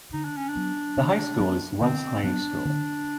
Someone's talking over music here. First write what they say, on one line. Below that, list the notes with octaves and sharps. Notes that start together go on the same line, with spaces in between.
The high school is Wells High School.
D3 D#4
D4
C#4
D4
F#3 B3
D3
F#3 B3
D3 C4
F#3 B3 D4
D3